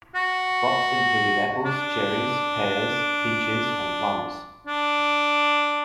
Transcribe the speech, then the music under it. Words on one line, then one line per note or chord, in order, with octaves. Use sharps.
Crops included apples, cherries, pears, peaches and plums.
F#4
D4
D4